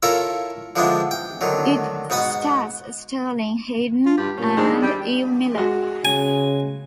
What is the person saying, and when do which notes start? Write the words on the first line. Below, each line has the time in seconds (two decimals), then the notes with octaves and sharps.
It stars Sterling Hayden and Eve Miller.
0.03 E4 F4 A4 A#4 C#5 E5
0.76 D3 F3 G#3 B3 D4 E4
1.11 G5
1.41 D3 D#3 F#3
2.10 G#2 B2 B3 B4 F#5
4.06 F4
4.18 G2 G4
4.37 A#2 C#4
4.57 D#3 G#3 C4 D4
4.82 G3 D5 G5
5.55 G#3 F#4
6.05 C#3 G#5